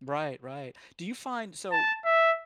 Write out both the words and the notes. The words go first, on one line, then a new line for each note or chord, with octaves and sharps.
Right, right. Do you find so,
A5
E5